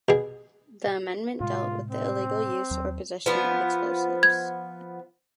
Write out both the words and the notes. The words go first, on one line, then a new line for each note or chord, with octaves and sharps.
The amendment dealt with the illegal use or possession of explosives.
B2 G#4
A2 C3 G#3 F4
C4
D#2 F#3
F3 B3
G#6